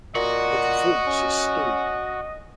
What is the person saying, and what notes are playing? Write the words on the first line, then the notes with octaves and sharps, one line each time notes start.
Her performance is stunning.
A#2 F#4 D#5
C#4